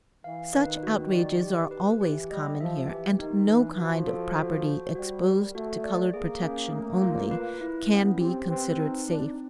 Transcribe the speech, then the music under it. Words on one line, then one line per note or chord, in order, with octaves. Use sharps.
Such outrages are always common here, and no kind of property exposed to colored protection only, can be considered safe.
E3 F5
D#3 B4
F#4
D5
G4
B4
E3 G4
G3 D#5
F3 E5
E3 G4
D#3 D#4
E3 B4
F3 F#4
A4
F#4
C5
G3 F#4
A#4
A3 F#4
D5
A#3 G#4
C#4
A3
F4
B4
E4
B3 C#4
C4 G4
C4 B4
D#4
C4 D4